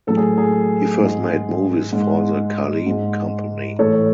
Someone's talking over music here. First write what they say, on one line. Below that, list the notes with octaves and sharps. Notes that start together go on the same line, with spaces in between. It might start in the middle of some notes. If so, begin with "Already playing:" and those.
He first made movies for the Kalem Company.
A2 F#3 A3 A4
G#4
G#4
G#2 G#3
G#2 G#3
G#2 G#3
A2 E3 A3 A4 C#5